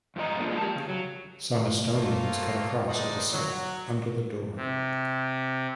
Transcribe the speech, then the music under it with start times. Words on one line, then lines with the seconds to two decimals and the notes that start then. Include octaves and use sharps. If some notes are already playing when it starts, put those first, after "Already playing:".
Some Estonians cut a cross with a scythe under the door.
0.16 F2 G#2 F#4 D#5 A#5
0.39 F3 G#3 A#3 D4
0.57 G4 A5
0.76 C#3
0.88 F#3
1.94 F#3 A3 A#3 C4 F4
2.89 G2 D#3 G#3 D#4 C5 D5
3.33 F#3
4.56 C3